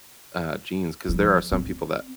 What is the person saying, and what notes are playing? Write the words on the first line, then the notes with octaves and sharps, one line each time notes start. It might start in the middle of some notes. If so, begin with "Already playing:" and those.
uh, genes 'cause there are some people that
F3 G3
C4